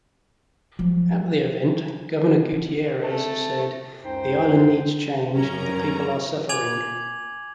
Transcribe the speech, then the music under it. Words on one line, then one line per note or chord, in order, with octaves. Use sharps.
At the event, Governor Gutierrez said, The island needs change; the people are suffering.
F3 F#3
A3 C4 D4 G#4 A5
C#2 F#2 D#4 C5 G5
F#2 G3 C#4 A#4 A#5
G#5 D6 G#6 F7 F#7